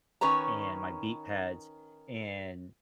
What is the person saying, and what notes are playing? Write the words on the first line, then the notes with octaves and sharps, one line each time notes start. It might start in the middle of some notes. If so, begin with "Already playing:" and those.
and my beat pads, and
D#3 C#4 B4 C#5 A#5